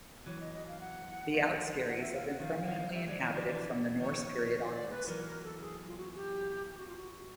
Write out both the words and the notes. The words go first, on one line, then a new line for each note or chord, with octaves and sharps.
The Out Skerries have been permanently inhabited from the Norse period onwards.
E3 F#3 C#5
D#5
D#5
F5
F#5
D#3 F3 F5
F#5
F#5
E5
F5
F#5
D#3 F3 F5
D#3 F3
F3 G3 E5
F#3 G#3 D5
E3 F#3 C#5
D#3 F3 D5
D3 E3
D#3 F3 C#5
C#5
C#5
D5
B4
E3 F#3 A#4
A#4
A4
G#4
F4
F#4
G4
G4
F#4
F4
F#4